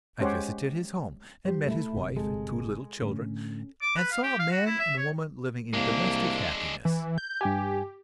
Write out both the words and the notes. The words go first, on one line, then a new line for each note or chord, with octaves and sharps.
I visited his home, and met his wife and two little children, and saw a man and woman living in domestic happiness.
G#3 C#4 G4 C5 C#5 F#5
G3 G4 C5
A3 E4
G1 C3
G#3 A4
A2 D3 A3 C#4
D6
B4
F5
G4
F5
F#4
E4
E5
C#5
C2 G#3 A#3 D4
E3
G6
G2 G4 G5 G#5